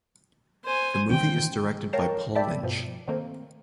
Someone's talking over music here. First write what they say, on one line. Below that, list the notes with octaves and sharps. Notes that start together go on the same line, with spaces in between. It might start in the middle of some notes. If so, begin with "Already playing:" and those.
The movie is directed by Paul Lynch.
C5 G#5
D#3 E3 C#4 G5
A#4 C#5 F5 G5 A5 A#5
D5 E5 G5 A5 B5
G2 B2 F3
C3 D#3 A3 A#3 C4